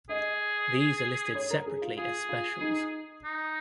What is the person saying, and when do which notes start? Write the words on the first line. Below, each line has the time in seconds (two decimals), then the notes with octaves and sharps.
These are listed separately as specials.
0.09 G#4 D#5
1.35 C#5
1.50 A#4
1.66 G#4
1.82 F4
1.97 F4 G#4
2.29 F4
2.61 D#4
3.24 D#4